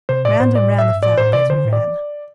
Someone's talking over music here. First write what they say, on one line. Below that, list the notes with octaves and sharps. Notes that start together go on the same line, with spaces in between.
Round and round the flower-beds we ran.
C3 C5
A2 D5
A2 C5
D5
E5
G2
A2 D5
A2 C5
C3 D5
D3 C5
A2
D5